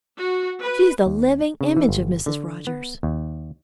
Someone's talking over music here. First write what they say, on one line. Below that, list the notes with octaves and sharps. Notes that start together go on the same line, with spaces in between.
"She's the living image of Mrs. Rogers."
F#4
B4
D#2
C#3
E3
G1
D3
B3
D#2